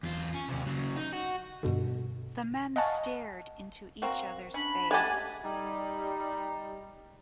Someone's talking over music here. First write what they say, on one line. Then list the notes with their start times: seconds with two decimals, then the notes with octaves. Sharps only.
The men stared into each other's face.
0.03 E2 F4
0.34 C#4
0.49 D#2 C3
0.66 C#3 F#3
0.97 D#4
1.13 F#4
1.63 G2 B2 D3
2.76 D#5 F5 F#5 G#5 A5 C#6
4.02 A#3 C4 F#4
4.54 C#4 D4 B5
4.91 G#3 A3 G4 F#5 G#5 A5
5.45 G3 D#4